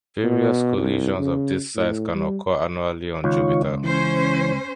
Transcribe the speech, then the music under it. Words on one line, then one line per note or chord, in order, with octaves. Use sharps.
Various collisions of this size can occur annually on Jupiter.
B2
C2
C#3
A2
G3
C#2 D#3 F4 C#5
E3 C#4 C5